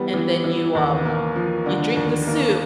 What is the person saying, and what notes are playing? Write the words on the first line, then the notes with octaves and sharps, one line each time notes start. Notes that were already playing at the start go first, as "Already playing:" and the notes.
and then you, um you drink the soup,"
Already playing: E3 G3 B3
E3
E3
D#2
A#3
F3
D3
D#2
A#3